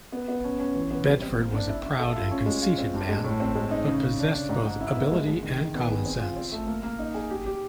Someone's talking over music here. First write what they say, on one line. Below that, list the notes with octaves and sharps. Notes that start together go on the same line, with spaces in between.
Bedford was a proud and conceited man, but possessed both ability and common-sense.
B3
B3
C#4
C#4
E3
B3
G3
C4
A#3
D4
E4
E4
A4
F4
C#4
G#3
F4
C4
G2
G#3
A2
C4
G#3
D#4
C#3
C#3
D4
D4
G#2
G#2
E4
B3
G#3
G#3
D#3
D#3
B3
G#4
C4
F4
C4
A3
A#3
A#3
D#4
G#4
G4
G4